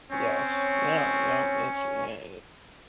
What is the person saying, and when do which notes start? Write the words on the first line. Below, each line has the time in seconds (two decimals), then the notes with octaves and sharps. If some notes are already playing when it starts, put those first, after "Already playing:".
Yes. Yeah, yep, it's yeah, i
0.11 C4 C#4 C#5